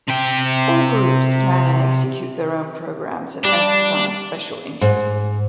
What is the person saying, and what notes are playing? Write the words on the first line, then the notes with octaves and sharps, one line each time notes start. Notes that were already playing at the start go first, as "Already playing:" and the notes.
All groups plan and execute their own programs and emphasize special interests.
C3 G5
G3 D4 D5
G#2